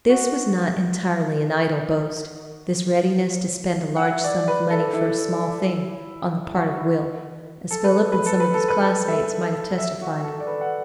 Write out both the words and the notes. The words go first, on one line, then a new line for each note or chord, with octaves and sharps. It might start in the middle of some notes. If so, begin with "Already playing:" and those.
This was not entirely an idle boast, this readiness to spend a large sum of money for a small thing--on the part of Will, as Philip and some of his classmates might have testified.
F#4
F#5
E5
D5
B4
A4
E4
F#4
E4
A4
B4
A4
B4
A4
B4
A4
B4
A4
E5
E5
F#4
A4
D5
B4
F#5